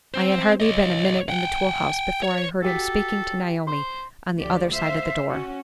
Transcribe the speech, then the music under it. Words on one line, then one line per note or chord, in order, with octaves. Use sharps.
I had hardly been a minute in the tool-house before I heard him speaking to Naomi on the other side of the door.
C4 C5
C#5 D#5
F#5 G5
C#5
F#4 G4 A4 B6
C5 C6
D2 F3 G4 D5
C5 E5 F5
C#4 F#4